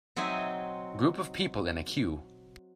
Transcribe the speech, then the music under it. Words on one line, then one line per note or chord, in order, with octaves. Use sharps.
Group of people in a queue.
F#3 C4 D#4 E5 G#5